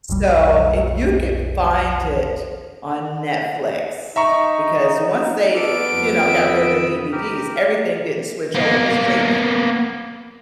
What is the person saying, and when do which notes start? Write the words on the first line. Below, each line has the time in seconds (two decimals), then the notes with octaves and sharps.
So, if you could find it on Netflix because once they, you know, got rid of their DVDs, everything didn't switch over to streaming.
0.09 F1 B1 G3
4.16 D#4 E5 A#5 C#6
5.55 B3 A4 D6 F6 D7
5.93 F2
6.27 B5 D#6 E6
7.12 G4 A#4
8.55 A#3 B3